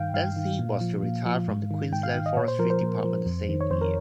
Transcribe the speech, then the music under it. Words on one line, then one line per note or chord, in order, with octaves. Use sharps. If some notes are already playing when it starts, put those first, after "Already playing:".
Dansie was to retire from the Queensland forestry department the same year.
Already playing: G2 D#3 F5 G5
G2 F5
D#3
A#2
F3
A#2
F3
G#2
D#3
G#2 G5
F5
D#3
D#5
A#2 C#5
C5
F3 A#4
C5
A#2
F3
F2
D#3
C#5
F2 C5
A#4